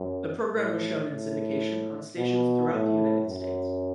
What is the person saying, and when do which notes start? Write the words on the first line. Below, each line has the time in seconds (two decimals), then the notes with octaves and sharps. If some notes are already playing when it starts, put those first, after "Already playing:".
The program was shown in syndication on stations throughout the United States.
Already playing: F#2
0.53 A2
1.08 A2
2.17 B2
2.71 A2
3.26 F#2